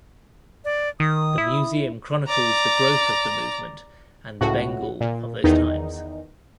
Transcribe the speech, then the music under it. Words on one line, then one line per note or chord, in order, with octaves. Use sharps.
The museum chronicles the growth of the movement and the Bengal of those times.
D5
D#3 D#6
E4
D5 A#5
C#2 A2 F#4
A#2
E2 D#3 D#4